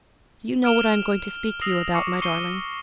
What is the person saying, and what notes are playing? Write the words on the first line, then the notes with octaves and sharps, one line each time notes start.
"Do you know what I am going to speak to you about, my darling?"
F6 D7 E7 F7 G7
D#6 E6 A#6 C7 F7 F#7
C#6 D6 C7 C#7
C#6 C7 C#7 D#7 G7